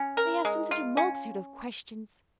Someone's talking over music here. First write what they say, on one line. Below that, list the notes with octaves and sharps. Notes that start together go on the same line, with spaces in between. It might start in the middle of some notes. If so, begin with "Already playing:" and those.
They asked him such a multitude of questions!
Already playing: C#4
A#4
G#3
F4
C#4